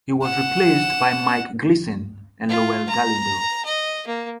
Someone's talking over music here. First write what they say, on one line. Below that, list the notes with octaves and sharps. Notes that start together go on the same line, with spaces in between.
He was replaced by Mike Gleason and Lowell Galindo.
F#5 E7
F4
A#5
D#5
A#3